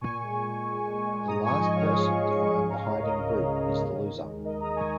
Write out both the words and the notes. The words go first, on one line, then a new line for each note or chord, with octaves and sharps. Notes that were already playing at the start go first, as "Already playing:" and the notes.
The last person to find the hiding group is the loser.
A#2 G#5 C#6
G#3
G#3
G#3
G#3
G#3
G#2 A#5 D#6
G#5 C#6
F3
D#5 G#5
F3
C#5 F5
F3 G#4 C#5
F3
G#2
C#2 C#5 F5
F5 A#5
C#2
C#5 F5
C#2
A#4 D#5
C#2 A#4
C#3
G#3
D#2
D#3
G#3
D#2 A#4 D#5
A#5 D#6
D#3
G#5 C#6